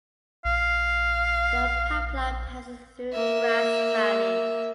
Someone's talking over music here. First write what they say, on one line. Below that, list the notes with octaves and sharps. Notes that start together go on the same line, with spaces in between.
The pipeline passes through Grass Valley.
A#1 F5
A#3 E5